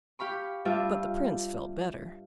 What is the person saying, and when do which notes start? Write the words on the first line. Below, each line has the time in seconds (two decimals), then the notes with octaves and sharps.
But the prince felt better.
0.19 G4 F5 B5 C#6
0.65 G2 G3 F4 E5 F5